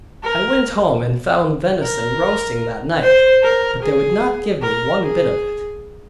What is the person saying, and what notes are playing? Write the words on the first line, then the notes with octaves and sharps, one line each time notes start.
I went home and found venison roasting that night, but they would not give me one bit of it.
A#4
A#4
C5
A#4
G#4
A#4
G#4